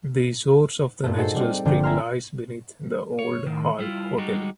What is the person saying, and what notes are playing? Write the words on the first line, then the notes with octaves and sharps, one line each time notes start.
The source of the natural spring lies beneath the Old Hall Hotel.
G2 A#2 A3
D#4 F#4 G#4 A4 C5
G3 C4
G1 D3 F3 D4 G5
E5 G#5 A#5 C6 F6
C#5
A2 D#3
G3 E4 F4
G3 G#3 D#4 F#4